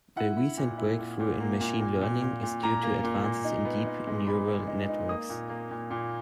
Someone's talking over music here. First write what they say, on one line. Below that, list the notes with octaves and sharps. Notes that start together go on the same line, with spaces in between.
The recent breakthrough in machine learning is due to advances in deep neural networks.
E4 F#5
E4
A#2
E4
A#2
A#2
A#3
A#2
A#2
A#2
A#2
A#2
A#2 A#5
A#3
A#2
A#2
D#4
B3
D#4
G#3
D#4 B5
G#3
D#4
D#4
A#3 D#6
A#2
A#3
A#2
A#2